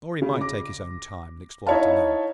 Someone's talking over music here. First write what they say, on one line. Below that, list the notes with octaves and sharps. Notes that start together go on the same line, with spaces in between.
Or he might take his own time, and explore it alone.
C#3
D6 A#6
D#4 E4 C#5 E5 F5 A5